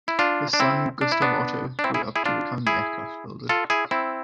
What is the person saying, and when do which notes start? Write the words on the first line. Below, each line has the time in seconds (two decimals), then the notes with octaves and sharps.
His son Gustav Otto grew up to become an aircraft builder.
0.08 E4
0.19 D4 F4
0.53 D4
0.60 C4 E4
1.01 D4
1.12 E4
1.22 B3 D4
1.79 D4
1.84 C4 E4
1.94 E4 G#4
2.16 E4 G#4
2.26 D4 F4
2.67 E4 G#4
3.49 F4 A4
3.70 E4 G#4
3.91 C4 E4